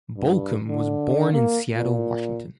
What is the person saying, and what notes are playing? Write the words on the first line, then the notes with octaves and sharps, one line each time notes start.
Bolcom was born in Seattle, Washington.
G2
D3
A#3
A#2